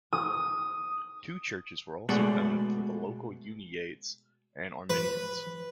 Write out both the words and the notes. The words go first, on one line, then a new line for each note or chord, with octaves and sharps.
Two churches were also founded for the local Uniates and Armenians.
D#6
B2 G#3 A3 D5 F#5
B4